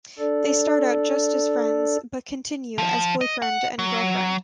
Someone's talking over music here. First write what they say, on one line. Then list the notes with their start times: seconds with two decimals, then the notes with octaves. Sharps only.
They start out just as friends, but continue as boyfriend and girlfriend.
0.19 D4 A4 D5
2.78 F3
3.21 D#5
3.42 F#5
3.79 F#3